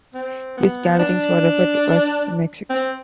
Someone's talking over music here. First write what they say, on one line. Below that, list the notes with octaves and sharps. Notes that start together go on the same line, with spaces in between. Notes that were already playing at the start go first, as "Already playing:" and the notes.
These gatherings were referred to as "synaxes".
C4
B3
D4
C4